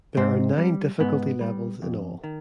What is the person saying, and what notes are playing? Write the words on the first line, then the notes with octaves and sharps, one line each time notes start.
There are nine difficulty levels in all.
G#2 C4
G3
G#2 B3
G3
F2
D#3